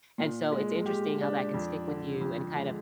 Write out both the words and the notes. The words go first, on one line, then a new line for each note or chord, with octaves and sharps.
and so, it's interesting how that can stick with you and, kind of,
A#2
G#3
G4
D4
F2
D3
F2
G#3